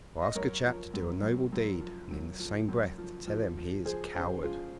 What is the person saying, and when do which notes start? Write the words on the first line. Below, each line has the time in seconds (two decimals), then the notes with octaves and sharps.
To ask a chap to do a noble deed and in the same breath to tell him he is a coward!
0.22 D#5
0.35 F#2 A#4 C#5
0.64 F3
0.94 F#2
1.23 F#2
1.52 F#2
1.81 F3
2.11 F#2
2.39 F3
2.68 F#2
2.98 F3
3.27 F3
3.57 F3
3.85 F3 G#4 C5
4.15 C#3 G#4 C5
4.44 F3 F4 G#4